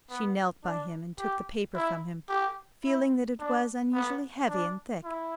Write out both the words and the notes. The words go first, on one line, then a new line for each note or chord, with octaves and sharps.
She knelt by him and took the paper from him, feeling that it was unusually heavy and thick.
B3
D4
G4
E4
G4
E4
D4
B3
D4
E4